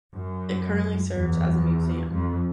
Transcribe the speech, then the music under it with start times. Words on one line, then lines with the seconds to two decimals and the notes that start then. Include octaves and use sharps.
It currently serves as a museum.
0.15 F#2
1.15 E2
2.13 F2